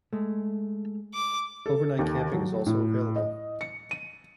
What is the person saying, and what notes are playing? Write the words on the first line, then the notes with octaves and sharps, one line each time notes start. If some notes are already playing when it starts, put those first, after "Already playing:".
Overnight camping is also available.
G#3 A3
D6
A4
D#2
F#3
A2
D#5
C#7
D#7